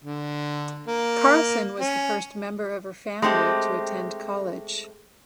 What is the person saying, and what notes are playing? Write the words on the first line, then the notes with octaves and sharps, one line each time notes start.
Carlson was the first member of her family to attend college.
D3
A#3
C#4
G#3 A3 C4 G4